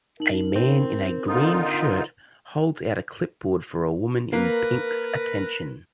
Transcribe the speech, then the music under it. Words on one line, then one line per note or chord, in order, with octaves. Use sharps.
A man in a green shirt holds out a clipboard for a woman in pink 's attention.
D#4 A#4 F#7
C4
D3 D#4 F4 D#6
A#3 A#4 B4